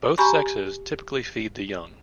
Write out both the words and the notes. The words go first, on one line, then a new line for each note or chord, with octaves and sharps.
Both sexes typically feed the young.
G4 G#5 A#5 B5 C#6